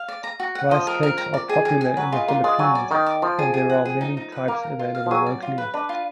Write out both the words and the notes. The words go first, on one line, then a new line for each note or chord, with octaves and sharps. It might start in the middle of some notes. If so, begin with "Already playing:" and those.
Rice cakes are popular in the Philippines, and there are many types available locally.
Already playing: F5
D5
A#5
F#4
F#5
F3 D#5
A#4
A#4
A#5
D5
G#4
G#4
G#5
F#3 B4
G#3 F4
A#3 F4
G#3 D5
F#3 G#5
D5
D#3 D5
D6
F3 D5
G#4
G#4
F#5
G#4
D#4
D#4
B4
A#3 A#4
A#5
F4
F5
F3
F#3 G#4
D5
F4
B4
D4 B4
F4